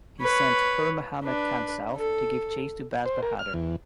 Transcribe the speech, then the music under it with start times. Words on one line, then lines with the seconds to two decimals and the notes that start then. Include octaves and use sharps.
He sent Pir Muhammad Khan south to give chase to Baz Bahadur.
0.22 B4 C#5
1.23 D4 B4
1.97 A4
3.06 C5
3.23 A#4
3.39 F6
3.54 E2